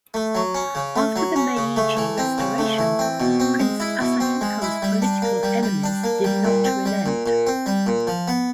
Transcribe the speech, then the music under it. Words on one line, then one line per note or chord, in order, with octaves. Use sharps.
After the Meiji Restoration, Prince Asahiko's political enemies did not relent.
A3
F#3
C#4
C#3
A3
F#3
C#4
C#3
A3
E3
C4
C#3
A3
E3
C4
B2
C4
G#3
E4
B2
C4
G#3
E4
G3
D4
A#3
G3
G3
D4
A#3
G3
A#2
C4
G3
A#2
A#2
C4
G3
A#2
F3
B3